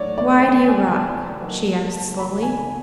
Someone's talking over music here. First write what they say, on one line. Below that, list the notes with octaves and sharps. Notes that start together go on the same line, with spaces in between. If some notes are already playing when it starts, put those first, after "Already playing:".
"Why do you rock?" she asked slowly.
Already playing: A2 F#3 A3 D4 C#5 D5
D5
G5
G#5
G#5
A5
F#3 A#3 D#4
A5
B5
G#5